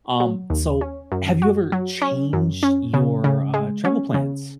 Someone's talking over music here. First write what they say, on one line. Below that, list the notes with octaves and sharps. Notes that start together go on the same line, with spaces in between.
Um, so have you ever changed your, uh, travel plans
F#3
D#2
C#4
F#2
F#4
F#3
C#4
F#2
C#4
C#3
C#3
G#3
C#4
C#3